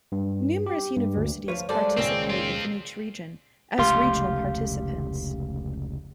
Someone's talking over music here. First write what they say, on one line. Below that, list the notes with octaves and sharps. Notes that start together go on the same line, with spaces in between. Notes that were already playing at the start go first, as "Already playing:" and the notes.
Numerous universities participate within each region as regional participants.
G2
G4
G2
D2
F3 B4 C#5 F5
G3 G#3 A#3 A4 C5 D5
C#2 A#2 D#3 G#3 C4 C#4 A#4
C4 F4
F1 C#2 A3 G4 F5 C6